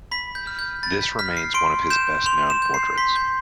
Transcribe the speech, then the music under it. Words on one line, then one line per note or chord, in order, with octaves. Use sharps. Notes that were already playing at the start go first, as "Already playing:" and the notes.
This remains one of his best-known portraits.
B5 B6
G6
F6
G6
B5 A6
B6
F6 B6
C7
C6 D7
G6 E7
C6 F7
E7
G6
C7
C6 B6
G6